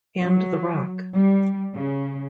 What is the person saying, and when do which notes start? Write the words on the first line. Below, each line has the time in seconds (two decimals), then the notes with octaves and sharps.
And the rock.
0.21 F#3
1.13 G3
1.76 C#3